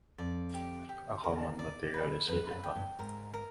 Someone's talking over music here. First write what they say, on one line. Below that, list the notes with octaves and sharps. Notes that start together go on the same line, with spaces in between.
A common material is silicon.
F2 D5
G4
G4
A#4
D5
B4
F2 B4
F#2
G5
G2
G#2 A#4
A#4